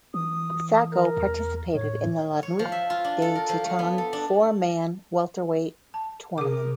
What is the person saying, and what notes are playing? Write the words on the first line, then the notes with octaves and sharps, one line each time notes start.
Sacko participated in the La Nuit des Titans four man welterweight tournament.
E3 D#6
A#4
E2
A2 C#5
C#5
F3
E5
F4
D4
A4
A#4
F3
A3
B3
A4
D4
A5
C3 G#4 A#4 D6